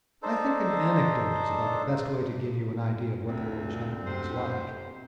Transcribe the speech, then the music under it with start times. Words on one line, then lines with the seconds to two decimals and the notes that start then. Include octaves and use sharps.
I think an anecdote is about the best way to give you an idea of what the old gentleman was like.
0.23 D4 D#4 A4 C5
3.27 D2 A#2 C4
4.06 D2 C3 C5